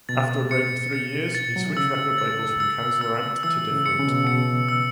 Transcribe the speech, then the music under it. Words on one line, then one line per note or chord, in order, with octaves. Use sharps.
After a break of three years, he switched record labels from Kanzleramt to Different.
B2 A6
C#7
C#7
A6
F#3
E3
C#3 E6
A6
E6
E6
E3 E6
C#3
C#7
C#3
B2
B2 C#7
E6